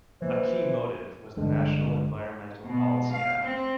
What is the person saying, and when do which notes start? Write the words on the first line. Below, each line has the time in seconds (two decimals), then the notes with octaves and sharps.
A key motive was the National Environmental Policy Act.
0.22 E3 F3 A#3 C5
1.36 A1 G2 D3 G#3
2.65 B2
3.11 F5
3.42 C4